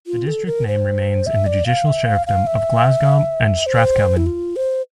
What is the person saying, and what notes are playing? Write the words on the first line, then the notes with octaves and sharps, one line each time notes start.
The district name remains in the judicial Sheriffdom of 'Glasgow and Strathkelvin'.
F4
A4
A#4
C5
E5
D5
F5
E5
F5
F5
E5
C5
E4
F4
C5